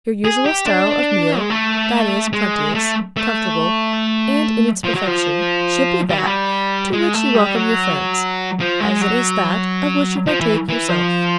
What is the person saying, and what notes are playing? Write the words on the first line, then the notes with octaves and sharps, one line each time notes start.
Your usual style of meal--that is, plenteous, comfortable, and in its perfection--should be that to which you welcome your friends, as it is that of which you partake yourself.
G#4
G4
D4
G#3
A3
G#3
A3
A3
F3
F#3
F3
G3
F#3
G3
G#3
A3
G3
F#3
F3
G#3
F#3
F3
E3
E3
F3